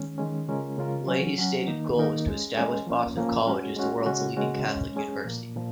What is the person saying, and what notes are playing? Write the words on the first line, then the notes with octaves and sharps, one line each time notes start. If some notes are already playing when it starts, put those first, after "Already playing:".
Leahy's stated goal was to establish Boston College as the world's leading Catholic university.
Already playing: D#3 G#3 C#4
D#3 G#3 C#4
C#3 G#3 C#4 F4 A#4
C#3 G#3 C#4 F4 A#4
F#3 C#4 F#4
F#3 C#4 F#4
D#3 A#3 D#4 A#4
D#3 A#3 D#4 A#4
G#3 C#4 G#4
G#3 C#4 G#4
F3 A#3 C#4
F3 A#3 C#4
G#3 C#4 F#4
G#3 C#4 F#4
C#3 G#3 C#4 F#4
C#3 G#3 C#4 F#4
G#3 C#4 G#4
G#3 C#4 G#4
A#2 F3 A#3
A#2 F3